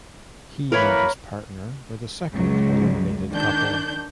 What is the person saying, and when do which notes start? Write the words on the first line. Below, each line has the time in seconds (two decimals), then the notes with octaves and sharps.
He and his partner were the second eliminated couple.
0.72 E3 A#3 A#4 B4 C#5 B5
2.33 C#2 F#3
3.31 D#3 D4 G6